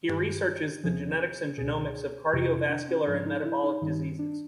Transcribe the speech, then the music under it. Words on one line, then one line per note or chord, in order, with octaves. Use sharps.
He researches the genetics and genomics of cardiovascular and metabolic diseases.
G2 D#3 G4
E2 C3 F3 G#4
C#2 B2 G#4
F2 C3 E3 G4
E4
D4
C#4
G#2 F3 D4
D#4
E4
D#4
G2 D#3 D#4
D4